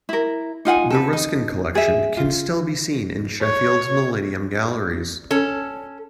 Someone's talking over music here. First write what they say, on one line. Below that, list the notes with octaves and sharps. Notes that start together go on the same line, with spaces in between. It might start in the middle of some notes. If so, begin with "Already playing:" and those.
The Ruskin collection can still be seen in Sheffield's Millennium Galleries.
E4 A#4
D#4 F4 F#5 G#5
A4 B4
D#4
G#4 E5
F4
C#5
C#4 A4